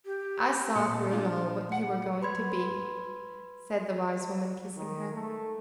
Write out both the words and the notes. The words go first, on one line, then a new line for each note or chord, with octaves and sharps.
"I saw, through it all, what you were going to be," said the wise woman, kissing her.
G4
A#2 A4
D4 F4
F#5
B4 B5 C6 G#6
D#3
A3